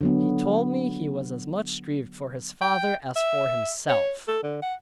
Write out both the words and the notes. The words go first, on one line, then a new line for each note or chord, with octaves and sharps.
He told me he was as much grieved for his father as for himself.
D3 F#3 B3
G5
E5
C#5
A4
D3
F#5